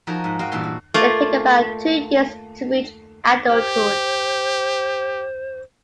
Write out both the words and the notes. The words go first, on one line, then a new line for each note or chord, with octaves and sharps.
They take about two years to reach adulthood.
F3 D#4 F#4 A#4 G#5
G#2 F#5
F#4 C5 D#5 F5 G5
G2 A#2 E3 G5 A5 C6
F#4
A3 A#3 F4
G4 C5